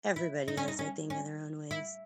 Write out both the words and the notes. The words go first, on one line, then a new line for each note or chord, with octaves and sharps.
Everybody has, I think, in their own ways.
E4
D#4
C#4
D#4
C#4
C#4
E4